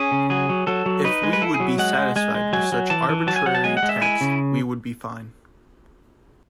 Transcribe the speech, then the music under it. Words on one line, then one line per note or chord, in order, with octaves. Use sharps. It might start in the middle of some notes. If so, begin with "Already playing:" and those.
If we would be satisfied with such arbitrary text, we would be fine.
Already playing: C#4 G#4
C#3
F#3 G#4
F#3
F#3 A4
F#3
D#4 B4
G#3
B4
E4 A4
G#4
F#3
G#3 F#5
G#3
G#3 G#5
G#3
F#3 G#5
F#3
E3 A5
E3
F#3 A5
G#5
F#3 F#5
A5
G#3 G#5
F#5
G#3
E5
E4 G#5
C#3